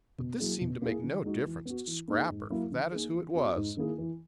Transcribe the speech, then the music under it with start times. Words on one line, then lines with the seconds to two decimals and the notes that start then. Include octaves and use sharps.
But this seemed to make no difference to Scrapper, for that is who it was.
0.18 B2
0.40 F#3 A#3 E4 G#4
0.61 B2
0.82 A#3 E4 G#4
1.03 D#3
1.24 G#3 D#4 F#4
1.45 E3
1.65 B3 F#4
1.87 E3
2.08 A#3 D#4 G#4
2.30 G#2
2.50 F#3 A#3 E4
2.72 D#3
2.92 A#3 D#4 G#4
3.14 E3
3.35 B3 F#4
3.56 G#2
3.77 D#3 A#3 E4 G#4
3.98 E3